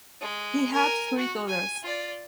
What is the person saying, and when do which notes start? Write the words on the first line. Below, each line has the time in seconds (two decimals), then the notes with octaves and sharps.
He had three daughters.
0.21 G#3
0.73 A#4 G#5
1.18 F#4
1.47 G#5
1.83 F4 D5